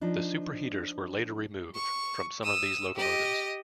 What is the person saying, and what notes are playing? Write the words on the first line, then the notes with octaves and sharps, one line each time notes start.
The superheaters were later removed from some of these locomotives.
F3 D4 D#4
C#6
D#6 E6
G4 D#5